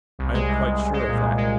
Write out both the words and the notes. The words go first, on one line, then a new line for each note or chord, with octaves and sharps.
I am quite sure of that.
C2
G#3
C2
C2
C2
G#3
A#2
C2
G#3